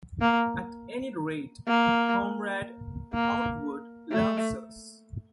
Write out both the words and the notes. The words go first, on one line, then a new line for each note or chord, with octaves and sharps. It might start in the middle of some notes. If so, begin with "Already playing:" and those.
At any rate, Comrade Outwood loves us.
A#3
A#3
A#3
A3